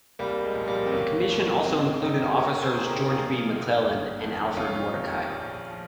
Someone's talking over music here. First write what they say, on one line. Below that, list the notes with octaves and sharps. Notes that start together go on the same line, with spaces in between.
The commission also included officers George B. McClellan and Alfred Mordecai.
C2 G3 A#3
G#3
A#2 F3
G3 A#3
C4
G1 A#3 C#4
G2 F3
G#1 G#3 C4
G2 D#3 C4 D#4
D#4 G4
C#2 A#4 C#5
G#4 C5
C3
D#3
G4 A#4
A#1 F4 G#4
G#2 D#3
G1
F2 D#3
F1 C#4 F4
F2 C3 D#3
A#1
F3